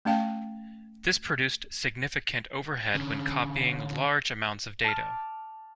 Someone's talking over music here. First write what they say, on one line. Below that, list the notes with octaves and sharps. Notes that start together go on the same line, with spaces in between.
This produced significant overhead when copying large amounts of data.
A3 C#4 F5 G5
D3 C#4
A5 D6 F6